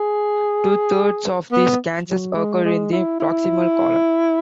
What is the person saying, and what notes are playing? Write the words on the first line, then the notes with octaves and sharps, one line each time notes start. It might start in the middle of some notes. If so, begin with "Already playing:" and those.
Two-thirds of these cancers occur in the proximal colon.
Already playing: G#4
B3
F#3
G#3
G#3
E4
E4